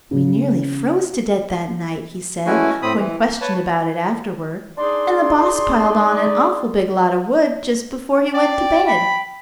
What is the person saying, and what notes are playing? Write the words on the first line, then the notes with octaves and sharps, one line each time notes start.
"We nearly froze to death that night," he said, when questioned about it afterward, "and the boss piled on an awful big lot of wood just before he went to bed."
C#3
E3 G#3 A3 C#4 E4 F#4
A2 C4 B5 D#6
E3
A#3
B4 C#5 A5
D4 D#4 G#4 D5 C6
D5 G5
B5